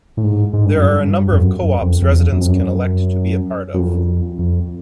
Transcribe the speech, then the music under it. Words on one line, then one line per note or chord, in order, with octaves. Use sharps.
There are a number of co-ops residents can elect to be a part of.
A2
G#2
G#2
G2
F#2
G2
F2
F#2
F#2
F2
F2
E2
F2
F#2
F2
F#2
F#2
F2
F2